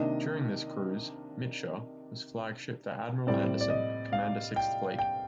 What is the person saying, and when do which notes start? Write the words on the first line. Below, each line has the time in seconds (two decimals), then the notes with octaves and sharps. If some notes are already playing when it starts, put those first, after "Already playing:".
During this cruise, "Mitscher" was flagship for Admiral Anderson, Commander Sixth Fleet.
Already playing: C3 D#3 A#3 D4 D#5
3.27 A2 G3 C4 D5
3.61 D5
3.70 D#5
4.13 F5
4.56 G5
4.99 G5